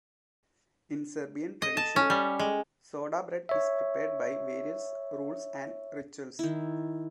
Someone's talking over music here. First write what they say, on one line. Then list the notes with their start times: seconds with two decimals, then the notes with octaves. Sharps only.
In Serbian tradition, soda bread is prepared by various rules and rituals.
1.62 D#5
1.77 A5
1.96 C#4
2.10 G3
2.39 G#3
3.49 C#5 E5
6.39 D#3 E4